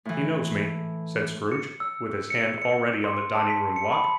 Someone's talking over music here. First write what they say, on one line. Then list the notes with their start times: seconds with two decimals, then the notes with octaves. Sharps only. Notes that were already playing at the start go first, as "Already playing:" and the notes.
He knows me,' said Scrooge, with his hand already on the dining-room lock.
0.05 A2 E3
1.52 C#7
1.80 E6
2.30 C#7
2.62 C#7
3.04 C6
3.35 A5
3.50 B6
3.76 C#7
3.92 B5